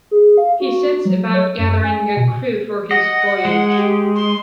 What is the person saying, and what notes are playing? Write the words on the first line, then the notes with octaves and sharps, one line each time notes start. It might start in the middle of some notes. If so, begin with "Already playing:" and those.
He sets about gathering a crew for his voyage.
G#4
F5
F#4
F#3
C#5
F#2
G#5
B2
D#5 F#5
G#3
G4
C6